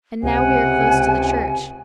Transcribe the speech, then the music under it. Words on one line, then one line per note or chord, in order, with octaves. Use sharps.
And now we are close to the church.
C#2 C3 F#5 G#5